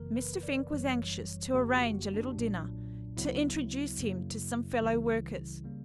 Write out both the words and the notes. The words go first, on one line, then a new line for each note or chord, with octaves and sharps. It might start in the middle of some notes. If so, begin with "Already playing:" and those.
Mr. Fink was anxious to arrange a little dinner, to introduce him to some fellow workers.
Already playing: G1 F#2 C#3 E3 A#3 A#4
B4
D5
G1 F#2 E3 G3 C#5
G1 F#2 D3 A#3 G4
F#4
D4
B1 A#2 F#3
D2 C#3 F#3 B3 E4
F#2 C#3 F#3 A#3
C#2 C#3 E3 G3
C#3 G3 A#3